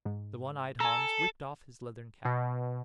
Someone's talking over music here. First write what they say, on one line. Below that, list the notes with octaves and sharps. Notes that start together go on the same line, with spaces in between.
The one-eyed Hans whipped off his leathern cap.
G#2
A4 G#5 A#5
B2